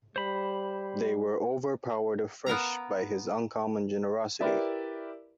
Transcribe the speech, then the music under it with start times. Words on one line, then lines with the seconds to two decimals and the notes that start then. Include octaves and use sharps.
They were overpowered afresh by his uncommon generosity.
0.16 G3 C5 B5
2.46 B3 A#4 F5 A#5
4.41 E4 G4 A#4 B4 D5 E5